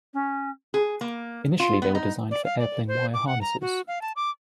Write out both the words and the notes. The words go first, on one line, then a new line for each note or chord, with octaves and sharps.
Initially they were designed for airplane wire harnesses.
C#4
G#4
A#3
F4
B3
D#4
D5
F5
D5
C5
D6
F#5
A#5
F#4
F5
A5
D6